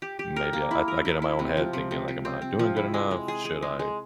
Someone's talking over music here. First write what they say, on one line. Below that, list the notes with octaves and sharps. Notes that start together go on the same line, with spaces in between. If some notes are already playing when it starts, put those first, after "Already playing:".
maybe I I get in my own head thinking, like, "Am I not doing good enough? Should I
G4
G4
A#4
A#3
E4
A#4
E4
E4
C3
F3
C3
C3
C3
C4
C4
F3
E4
G#3
G#3
G#4
G#4
G#3
G#3